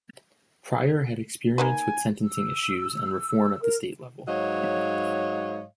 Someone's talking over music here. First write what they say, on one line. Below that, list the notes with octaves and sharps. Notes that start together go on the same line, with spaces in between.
Pryor had experience with sentencing issues and reform at the state level.
A#3 D#4 B4 G#5
E6
A#4
G#2 F#3 C#5 D#5 F5